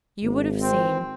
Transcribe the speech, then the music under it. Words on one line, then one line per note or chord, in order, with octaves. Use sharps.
You would have seen!
G#1
C4